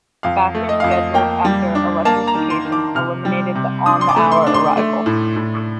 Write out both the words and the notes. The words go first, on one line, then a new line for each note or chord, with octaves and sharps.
Faster schedules after electrification eliminated the on-the-hour arrival.
F2 F5
A3
D#5
F2 F5
D#5
A#3 G5
G3
D4
A#3 A5
A#5
D#3
C6
D#3
D6
C3 F6
G3
C3
D4 D#6
C6
D6
A3
C6
D4
C6
A3
A2
A2